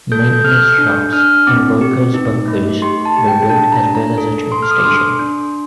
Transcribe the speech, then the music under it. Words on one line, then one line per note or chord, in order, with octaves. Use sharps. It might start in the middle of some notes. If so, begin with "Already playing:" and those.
Maintenance shops and workers' bunkers were built as well as a train station.
A4 G6
G6
A4 F6
D4 G6
D4 F6
C4 D6
G4
D#4
A3
G4 C6
A5
G4
G5
D4 A5
A#5
D4
A#5
A4
A4 C6
F6
D#6
D6
D4 C6
D4